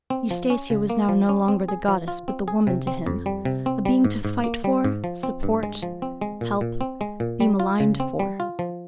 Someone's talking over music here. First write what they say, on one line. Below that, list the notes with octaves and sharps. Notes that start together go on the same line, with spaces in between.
Eustacia was now no longer the goddess but the woman to him, a being to fight for, support, help, be maligned for.
C4
F3
C#4
C#3
A#3
F3
C#4
C4
G#4
F3
F4
C4
G#4
C3
C4
F2
G3
C3
C4
G3
G#2
G#2
A#3
G3
G#2
F3
C4
G2
G#3
F3
C4
G#3
A#2
A#2
C4
G#3
A#2
G3
F4
C#3
C4
G3
F4
F3